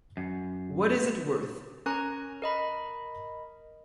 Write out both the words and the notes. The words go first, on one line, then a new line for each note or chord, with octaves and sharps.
What Is It Worth?
F#2
C#4 A#4 G#5 A#5 C#6 F#6
A#4 D#5 B5